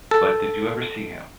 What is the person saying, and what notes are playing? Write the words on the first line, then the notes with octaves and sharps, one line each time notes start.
But did you never see him?
A4